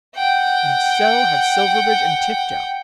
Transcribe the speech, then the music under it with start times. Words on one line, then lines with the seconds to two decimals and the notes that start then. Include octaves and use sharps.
And so have Silverbridge and Tifto.
0.16 F#5 G5